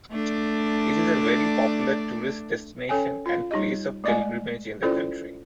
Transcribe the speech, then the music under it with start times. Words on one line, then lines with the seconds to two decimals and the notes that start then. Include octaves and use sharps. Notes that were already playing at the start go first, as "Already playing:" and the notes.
It is a very popular tourist destination and place of pilgrimage in the country.
0.11 A3 D4 D5
2.89 C#4 A4 C#5 G5 G#5
3.26 F4 F5
3.51 G3 D#4 G4 D#5
4.04 G#3 A3 D5 D#5 F5 G#5
4.83 C#4 E4 F4 A4 C5 D5